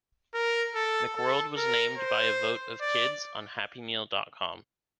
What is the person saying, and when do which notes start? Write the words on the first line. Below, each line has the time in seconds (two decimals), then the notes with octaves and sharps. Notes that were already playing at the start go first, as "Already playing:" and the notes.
McWorld was named by a vote of kids on happymeal dot com.
0.34 A#4
0.75 A4
1.16 A4
1.57 A#4
1.98 C5
2.81 D5